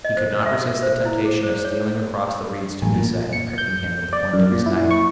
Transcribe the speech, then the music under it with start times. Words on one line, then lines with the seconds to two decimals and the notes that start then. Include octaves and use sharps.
He could not resist the temptation of stealing across the reeds to Mysa and pricking him with the point of his knife.
0.04 D#5
0.17 C5
0.46 E5
0.62 F#4
0.83 C5
1.05 E4
1.25 G#4
1.43 C5
1.65 C#5
2.82 A1
2.94 A#2
3.33 C#7
3.58 G6
4.13 D5
4.33 F#2
4.51 A#2
4.66 E4
4.91 C#6